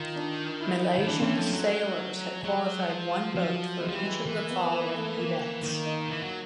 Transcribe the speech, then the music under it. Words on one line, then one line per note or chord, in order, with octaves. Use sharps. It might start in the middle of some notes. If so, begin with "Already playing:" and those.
Malaysian sailors have qualified one boat for each of the following events.
Already playing: D#3 F4
D4
E4
D#3
E3 D4
C4
E3 C#4
F3 A3
F#3
F#3 G#3
F3
F3 F#3
E3 G#3
F3
E3 G3
G#3
E3 A#3
A#3
B3
B3
A#3
A3
A#3
D#3 A#3
D#4
E3
F#3